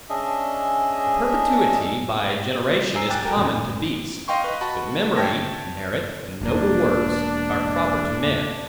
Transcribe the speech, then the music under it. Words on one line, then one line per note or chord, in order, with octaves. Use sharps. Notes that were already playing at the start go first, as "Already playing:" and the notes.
The perpetuity by generation is common to beasts; but memory, merit, and noble works, are proper to men.
C#4 D4 G#4 D#5 E5
G#5 A#5 E6 C7
G5 G#5 A#5 D6 F#6 A6
F#4 G4 A4 A#4 G5 G#5
F#2 A#2
D#5 F5 G5 C6 C#6
B4 D#5
F#4 F#5 A5 B5 C#6
C#5 E5 G5 A5 G#6 A#6
E1 A#3 D4